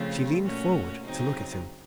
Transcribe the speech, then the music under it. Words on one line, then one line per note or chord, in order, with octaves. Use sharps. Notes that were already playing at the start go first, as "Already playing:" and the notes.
She leaned forward to look at him.
Already playing: C#3 F3 A3 C4 F4
A#2 A3 C#4 F#4
C#3 F#3 C4 D#4